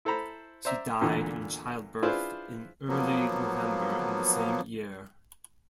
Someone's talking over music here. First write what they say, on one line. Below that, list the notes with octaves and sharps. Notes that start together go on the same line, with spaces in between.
She died in childbirth in early November in the same year.
E4 A4 C5 A#5 B5
C5 D5 E5 A#5
E2 A#2 D3 E3
D4 E4 F4 G#4 B4 C5
F3 F#3 A#3 B3